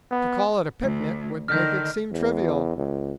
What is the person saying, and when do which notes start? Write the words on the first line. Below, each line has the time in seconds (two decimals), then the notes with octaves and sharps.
To call it a picnic would make it seem trivial.
0.11 B3
0.81 D2
1.48 D3 D#3 F6 G6
2.12 E2
2.77 C#2